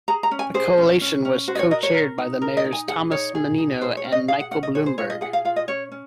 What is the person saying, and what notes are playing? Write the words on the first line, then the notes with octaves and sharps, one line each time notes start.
The Coalition was co-chaired by Mayors Thomas Menino and Michael Bloomberg.
G#4 A#5
A#5
C#4
G#5
G#4 C5
C#4
C#4
C#4
F#4 C5
D#5
C#5
A#4 D#5
C#5
A#4
D#4
A#4
D#5
D#4
G#5
G#4 F#5
D#4 C#5
G#4
D#4
G#4 C5
C#5
C#4
D#5
G#4 F5
F#5
C#4 F#5
D#5
G#4 C#5
C5
F4 C#5
D#5
G#4 F#5
F5
F4 F5
D#5
C#4 C#5
C#4